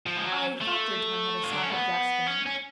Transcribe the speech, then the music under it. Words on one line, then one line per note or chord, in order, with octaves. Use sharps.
"I thought your tongue had a smack of Gascon in it."
F3
G#3
F#3
A3
F4
D4
C#4
B3
C#4
C#4